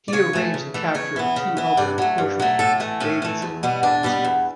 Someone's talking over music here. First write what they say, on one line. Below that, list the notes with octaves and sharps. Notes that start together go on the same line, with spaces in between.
He arranged the capture of two other bushrangers Davidson and Smith.
D5
C#3 C#5
E3 A3
C#3
E3 A3
C#3 C#5
E3 B3
C#3
E3 B3
G2 D5
F#3 A3
G2
F#3 A3
A2 A4
E3 A3
A2 C#4
E3 A3
E2
B2 G3 B3
E2 D4
B2 G3 B3
E2